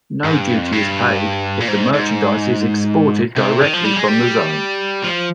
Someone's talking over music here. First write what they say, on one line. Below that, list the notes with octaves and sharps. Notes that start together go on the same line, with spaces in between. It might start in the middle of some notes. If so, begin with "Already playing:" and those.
No duty is paid if the merchandise is exported directly from the zone.
G#2
G2
F2
G2
A#2
G#2
G#2
C3
D#3
F3
G3
G#3
G3
F3